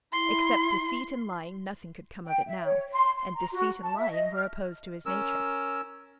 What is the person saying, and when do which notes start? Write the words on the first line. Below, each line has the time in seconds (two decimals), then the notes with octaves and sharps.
Except deceit and lying nothing could come of it now; and deceit and lying were opposed to his nature.
0.12 E4 C6
2.25 G5
2.47 E5
2.65 C#5
2.93 C6
3.17 C6
3.36 A#5
3.53 F#4
3.82 A5
3.97 E5
4.10 D#5
4.34 F6
5.06 C#4 A#4 E6